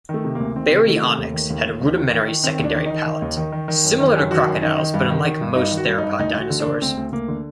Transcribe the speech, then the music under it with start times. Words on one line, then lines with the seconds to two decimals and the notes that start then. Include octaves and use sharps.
"Baryonyx" had a rudimentary secondary palate, similar to crocodiles but unlike most theropod dinosaurs.
0.09 D#3 A3
0.24 C3
0.35 D2 A#3
0.56 D#3 C4
0.71 C3
0.87 D#3 A3
1.02 C3
1.18 D#2
1.34 D#3
1.50 D#2
1.65 D#2
1.81 D#2
1.97 D#3
2.13 D#3
2.28 D#3
2.44 D#3 C4
2.59 D#2 D4
2.75 D#3
2.86 D#3 D#4
3.06 D#3
3.22 D#2
3.37 D#3
3.52 D#3
3.68 D#3
3.84 F#2
4.00 D#3
4.16 F#2
4.31 D#3 F#4
4.47 F#2
4.62 D#3 D#4
4.78 D#3
4.94 G2
5.09 D#3
5.25 D#3
5.41 G2
5.56 G2 D#4
5.71 D#3
5.77 F#4
5.88 G2
5.98 G2 D#4
6.19 D2 D#4
6.35 D2
6.40 F#4
6.50 D3
6.60 D4
6.66 D3
6.82 D2 C4
6.97 D2
7.12 D2 A#3
7.28 D3